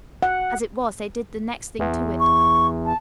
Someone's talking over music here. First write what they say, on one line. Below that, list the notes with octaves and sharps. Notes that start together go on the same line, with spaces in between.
As it was, they did the next thing to it.
F#5
E2
C#6
A5